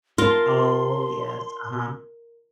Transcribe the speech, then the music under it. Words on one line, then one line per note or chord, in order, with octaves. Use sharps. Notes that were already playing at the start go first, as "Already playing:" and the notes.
Oh, yes, uh-huh.
F4 A#4 A5 C6